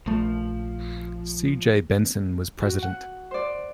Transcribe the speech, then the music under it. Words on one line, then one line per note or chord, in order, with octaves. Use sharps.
C. J. Benson was president.
A#1 F3 A3
F#4
F#5
C5 D5